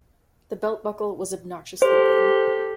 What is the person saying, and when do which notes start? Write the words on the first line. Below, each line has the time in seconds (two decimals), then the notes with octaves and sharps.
The belt buckle was obnoxiously big.
1.82 G4 A4 C5